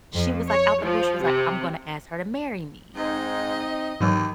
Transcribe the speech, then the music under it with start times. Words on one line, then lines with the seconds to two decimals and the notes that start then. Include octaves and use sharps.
she was, like, out the blue, she was like, "I'm gonna ask her to marry me."
0.12 F2
0.48 C#5
0.84 F3
1.21 C3
2.96 G#2 C4 D#4 D#5
4.01 D#2 G#2 D#3 E3 F#3